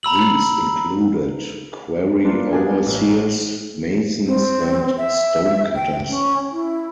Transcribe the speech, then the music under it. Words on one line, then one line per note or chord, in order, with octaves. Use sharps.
These included quarry overseers, masons, and stonecutters.
A#5 B5 E6 F#7
A#3 D4 E4 F4 B4
B3 D4 G4 A#4 F5 G#5
A1
C4
E5
G5
C#4
E4